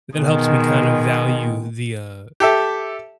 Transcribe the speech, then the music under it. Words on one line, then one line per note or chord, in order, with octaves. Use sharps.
that helps me kind of value the, uh,
B2 D#3 G#3
G4 A4 E5